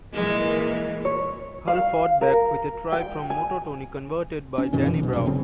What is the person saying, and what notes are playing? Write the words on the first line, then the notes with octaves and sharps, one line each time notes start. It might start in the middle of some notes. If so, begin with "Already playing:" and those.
Hull fought back with a try from Motu Tony converted by Danny Brough.
A#2 E3 G#3 A#3
C#5
F5
A#4
G5
G#5
C#4
F#2 B2 D#3 C#4
F2 E3 D4
B1 B2
G2 B2 F#3
D1 C#3 C4 C#4